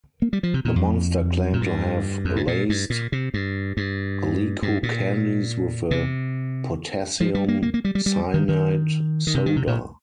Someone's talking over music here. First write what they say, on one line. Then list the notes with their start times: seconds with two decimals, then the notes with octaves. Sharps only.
The Monster claimed to have laced Glico candies with a potassium cyanide soda.
0.22 A#3
0.33 G3
0.43 F3
0.54 C3
0.65 A#2
0.76 F2
1.53 A#2
1.61 G2
2.25 F2
2.36 G2
2.47 A#2
2.69 G2
2.90 A#2
3.12 C3
3.34 G2
3.77 G2
4.62 G2
4.83 A#2
5.91 C3
7.20 F3
7.35 G3
7.48 A#3
7.63 A#3
7.74 A#3
7.85 G3
7.95 G3
8.06 G3
8.34 D#3
8.49 D#3
9.27 D#3
9.35 C3
9.46 D#3
9.56 C3
9.67 A#2